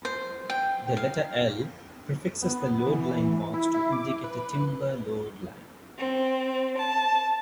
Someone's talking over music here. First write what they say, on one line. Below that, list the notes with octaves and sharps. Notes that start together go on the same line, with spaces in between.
The letter "L" prefixes the load line marks to indicate a timber load line.
C5
G5
F5
B3
E3
E4
E4
D6
B4
C4
A5